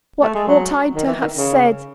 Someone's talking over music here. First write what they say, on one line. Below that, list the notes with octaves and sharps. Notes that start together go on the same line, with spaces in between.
What ought I to have said?
A3
G#3
F#3
D#3
E3
D#3
C#3